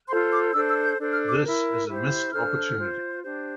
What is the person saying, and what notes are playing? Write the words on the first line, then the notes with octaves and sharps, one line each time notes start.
This is a missed opportunity.
F4 A4 C5 C6
D6
D4 A4 C5 E6
E6
G6
D4 A4 C5
F6
D6
E4 A#4
E4 G4 C5
D4 A4 C5 F6
F4 C5
D4 G4 C5